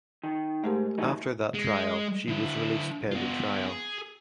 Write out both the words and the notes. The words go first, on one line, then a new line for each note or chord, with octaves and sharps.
After that trial she was released pending trial.
D#3
G#2 A3 G4 A#4
E3 F#3 D#4
G#3
D3 E4
B3 F4
G#4